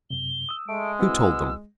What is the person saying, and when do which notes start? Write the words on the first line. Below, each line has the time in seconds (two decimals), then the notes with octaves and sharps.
"Who told them?"
0.10 F#2 C3 G7
0.49 D#6 E6
0.68 G#3 A3 D7
0.99 B3 C4 E4 F#4 E6